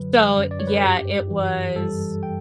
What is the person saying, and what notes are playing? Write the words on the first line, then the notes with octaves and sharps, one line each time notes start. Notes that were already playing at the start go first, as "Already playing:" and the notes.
so, yeah, it was,
Already playing: F#2 D3 F#3 B4
F#2
D5
C#5
B4
A4
G2 G4
E3
G3 A4
G5